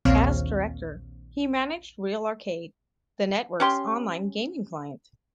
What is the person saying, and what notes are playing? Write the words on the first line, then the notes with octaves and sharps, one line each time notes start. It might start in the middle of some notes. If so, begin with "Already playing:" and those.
As director, he managed RealArcade, the network's online gaming client.
A#1 D#2 A#2 C4 C#5 F5
C#4 G4 C6